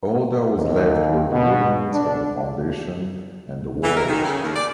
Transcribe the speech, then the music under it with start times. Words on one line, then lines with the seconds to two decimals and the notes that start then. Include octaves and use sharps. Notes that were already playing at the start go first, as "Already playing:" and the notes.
All that was left were the ruins of the foundation and the walls.
0.55 D#2
1.31 B2
1.92 D4
3.83 E3
3.96 A#4
4.08 D#3
4.24 C#3
4.43 D#2
4.56 D5